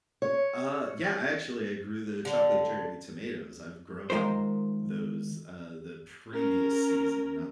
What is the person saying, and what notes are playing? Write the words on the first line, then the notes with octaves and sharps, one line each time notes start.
Uh, yeah. Actually, I grew the chocolate cherry tomatoes. I've grown those, uh, the previous season, not
C#5
D3
D#3 G#3 F4 A#4 C5
C#4 A#4